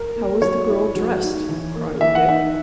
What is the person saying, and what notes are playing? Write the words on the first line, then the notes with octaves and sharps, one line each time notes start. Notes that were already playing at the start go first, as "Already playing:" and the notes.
"How was the girl dressed?" cried Dick.
Already playing: A#4
A#3
F#3 C#5
E4
F#3
D#4
E3
A#3
E3 E5
F#5
D#4 E5